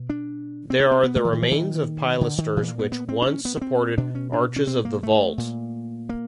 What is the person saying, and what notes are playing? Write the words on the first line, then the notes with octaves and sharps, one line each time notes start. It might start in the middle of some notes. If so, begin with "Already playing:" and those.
There are the remains of pilasters which once supported arches of the vault.
Already playing: B2
D4
C4
C#4
C4
B3
A#2 A3
E3
D#3
E3
D#3
D3
D#3
A#2 E3
B3
A#3
B3
B3
C4
D4
C#4
B3
B3
C4
B2 D4
C#4
D4
C#4
C4
A#3
A3
A#2
A#3